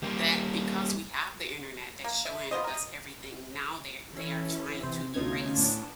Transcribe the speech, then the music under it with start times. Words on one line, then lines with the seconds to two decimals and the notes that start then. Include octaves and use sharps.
that because we have the Internet that's showing us everything, now they they are trying to erase,
0.03 G3 A#3
2.04 A#3
2.25 E5
2.51 B3 F4 C5 D#5
2.64 A#4 D#5
4.13 E3 C#4 E4 A4
4.83 C3 C4 C5
5.14 D2 B2 A3 C#4 D#4 F4 G#6
5.57 A2 B3 D4